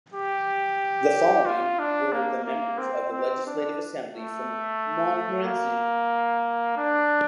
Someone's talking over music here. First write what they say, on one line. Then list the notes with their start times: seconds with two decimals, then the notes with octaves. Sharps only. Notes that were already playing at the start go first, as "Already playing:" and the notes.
The following were the members of the Legislative Assembly from Montmorency.
0.14 G4
1.46 F4
1.79 D4
2.12 A#3
2.45 A#3
2.78 C4
3.12 C4
3.46 D4
4.12 A3
5.44 A#3
6.77 D4